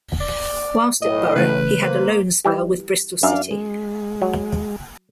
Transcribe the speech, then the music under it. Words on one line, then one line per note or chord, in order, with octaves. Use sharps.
Whilst at Boro he had a loan spell with Bristol City.
D5
B1 A2 D#5
C#3 E3 A3 B4
A#3 B4 C5
E3 G3 G4
F#2 D4 E5 F5
G#3
F#3